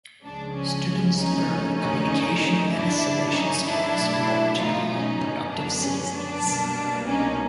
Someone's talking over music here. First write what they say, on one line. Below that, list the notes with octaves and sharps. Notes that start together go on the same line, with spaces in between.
Students learn communication and assimilation skills in order to be productive citizens.
C#2 C#3 F3 G#3 D4
C#4
C#4 D#4
D#2 D3 F3 A3
C#4 D#4
C#4 D#4
G2 D#3 F#3 D4 E4
C#4 D#4
D4 E4
B2 F#3 A3
D#4 F4
C#4 D#4
F#2 D3 F#3 B3
D4
C#4
D4
C2 B2 G3 A#3
C#4 D#4